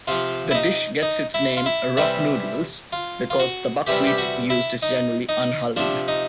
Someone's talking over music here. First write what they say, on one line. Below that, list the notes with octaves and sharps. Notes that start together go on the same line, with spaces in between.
The dish gets its name "rough noodles" because the buckwheat used is generally unhulled.
C3 F3 F4
E4
D#4
D#4
E4
F4
E4
C3 E3 G3
F4
F4
F#4
C3 E3 G3 G4
G4
F#4
E4
D#4
D#4
C3 F3 D4
D#4